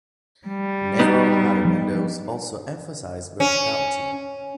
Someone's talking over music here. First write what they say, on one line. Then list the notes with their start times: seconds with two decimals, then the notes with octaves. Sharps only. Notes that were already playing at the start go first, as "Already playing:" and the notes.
Narrow high windows also emphasize verticality.
0.47 G3
0.99 B3 D#4
1.65 F3
3.40 C#4